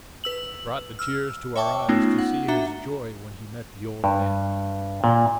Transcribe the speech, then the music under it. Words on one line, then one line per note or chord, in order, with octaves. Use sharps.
It brought the tears to our eyes to see his joy when he met the old man.
B4 E6 F#7
E6 F6
C#5 E5 G5 A5 C#6 D6
A3 B3 C#4 D#4 F4
F#5
D4 F#4 E5 A#5 G7
G2
A#2